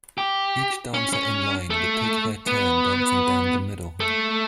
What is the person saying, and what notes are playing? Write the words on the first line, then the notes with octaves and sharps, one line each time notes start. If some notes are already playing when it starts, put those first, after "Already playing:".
Each dancer in line would take their turn dancing down the middle.
G4
C#4
C#4
A3
B3
A3